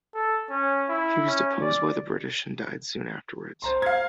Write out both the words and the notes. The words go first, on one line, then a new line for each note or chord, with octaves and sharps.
He was deposed by the British and died soon afterwards.
A4
C#4
E4
C#4
D5
C5 A#5 C6
F5 G#6